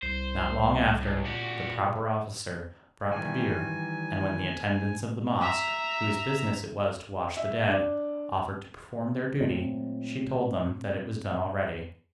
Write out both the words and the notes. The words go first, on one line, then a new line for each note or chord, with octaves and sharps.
Not long after, the proper officer brought the bier, and when the attendants of the mosque, whose business it was to wash the dead, offered to perform their duty, she told them that it was done already.
C2 C5
C#2
A#2 F#4 G4
D#3 E3 G3 G#5
E5 A#5
E5
D4
A#2 F#3 A3 C4